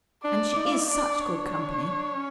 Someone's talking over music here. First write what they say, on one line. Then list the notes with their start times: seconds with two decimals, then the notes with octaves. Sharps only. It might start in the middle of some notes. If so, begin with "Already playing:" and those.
And she is such good company.
0.24 D4 D5
0.56 D#4
0.65 F4
0.73 E4
0.80 D#4
0.88 D4 D5
1.20 C#5
2.15 C#4